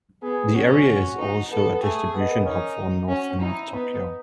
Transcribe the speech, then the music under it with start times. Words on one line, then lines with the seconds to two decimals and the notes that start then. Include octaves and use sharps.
The area is also a distribution hub for northern Tokyo.
0.23 B3 G#4
0.55 C#4 F#4
1.19 D#4
1.51 B3 A4
1.82 A3 G#4
2.14 B3
2.45 C#4 D#4
3.09 C#4 F#4
3.41 D#4 E4
3.73 B3 D#4